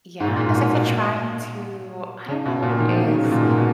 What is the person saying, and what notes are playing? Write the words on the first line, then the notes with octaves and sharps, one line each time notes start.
Yeah, it's like they're trying to I don't know what it is.
G#2
A#2
G#2
A#2
B2
C#3
B2
A#2
B2
D#3
F3
F#3
D#3
C#3
B2
A#2
G#2
B2